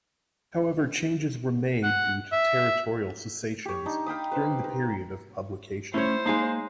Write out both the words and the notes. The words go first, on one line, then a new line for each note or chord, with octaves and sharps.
However, changes were made due to territorial cessations during the period of publication.
F#5
E5
G4 C#5
D4 D#4
F5 G5 B5 D#6
B4 C5
A#4
A3 C#4 E4 C5 C#5
G#3 A#3 D#4 F5